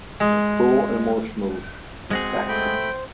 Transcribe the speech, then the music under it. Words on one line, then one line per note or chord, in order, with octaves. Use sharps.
It was so emotional and taxing.
G#3
G#3 C4 F#4 G#4
A3 G5 B5